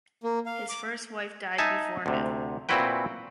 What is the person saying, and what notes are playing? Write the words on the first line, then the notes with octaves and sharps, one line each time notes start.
His first wife died before him.
A#3
F5
D6
D#4 E5 G#5 A5
D2 C3
A#2 C4 E4 F#4 B4 G5